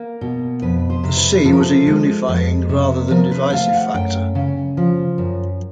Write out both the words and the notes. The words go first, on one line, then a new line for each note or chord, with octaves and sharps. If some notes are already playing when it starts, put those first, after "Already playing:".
The sea was a unifying rather than divisive factor.
Already playing: A#3
B2
F2 B4
C5
C3
B4
F3 A4
A#4
A4
G#3
F2
C3
F3 A#4
B4
A3 F5
F#5
F#2 G5
C#3
F3
F#2